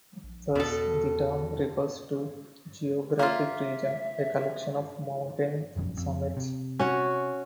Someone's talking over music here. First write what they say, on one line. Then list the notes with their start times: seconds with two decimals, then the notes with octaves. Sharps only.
Thus the term refers to a geographic region; a collection of mountain summits.
0.24 A#1
0.55 E2 B2 A4
3.19 A#3 F4 E5
5.76 F1 A#1 F#2
5.97 F2
6.37 C3
6.79 C#4 F#4 C#5